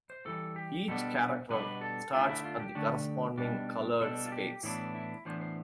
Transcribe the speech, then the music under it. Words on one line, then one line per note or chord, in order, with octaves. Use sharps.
Each character starts at the corresponding coloured space.
C5
A2 E3 G3 A4
G4
B2 G3 B3 D4 A4
B2 G3 B3 D4 B4
A4
D3 A3 D4 F4
E4
F4
G4
D3 A3 D4
B2 G3 D4
B2 G3 D4 A4
F4
G4
A2 E3 B3 D4 E4
E4
A2 E3 B3 D4 C5
C5